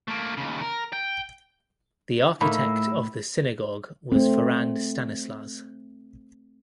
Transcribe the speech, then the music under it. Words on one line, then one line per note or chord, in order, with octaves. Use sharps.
The architect of the synagogue was Ferrand Stanislas.
A3 A#3
D#2 C#3
A#4
G5
A2 A3 A#3 D#4 E4 B5
A3 C4